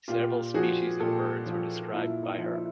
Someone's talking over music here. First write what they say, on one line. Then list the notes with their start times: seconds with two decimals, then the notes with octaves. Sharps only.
Several species of birds were described by her.
0.08 A#2 F4 G4
0.54 F3 F#4 G#4
1.00 A#2 G4 A4
1.46 F3
1.92 A#2 E4
2.23 D#4
2.38 F3
2.54 E4